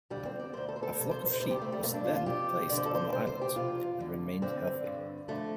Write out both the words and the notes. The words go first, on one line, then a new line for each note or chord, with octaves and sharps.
A flock of sheep was then placed on the island and remained healthy.
F2 D3 G3
C4
D5
D2 C3 C5
A4
C5
A4
F2 C3
C5
C5
D2 C3 C5
G4
A3
G3
G2 D3 A3
D4
F4
F4
F2 C3 G4
F2 D3 D5
C5
A4
C5
D2 C3 C5
C5
G4
F2 C3 F4
D2 D3
G2 D3 C4
G2 D3
F2 D3 A3